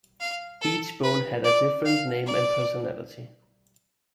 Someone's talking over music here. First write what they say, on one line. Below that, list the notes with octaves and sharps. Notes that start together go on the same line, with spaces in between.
Each bone had a different name and personality.
F5
A4
B4
D5
F5
D5